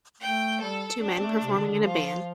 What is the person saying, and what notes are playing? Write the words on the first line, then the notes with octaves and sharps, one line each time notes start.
Two men performing in a band.
A3 G5
G3 A4
C4 D4
A3
C3
D3
D3
F3 F4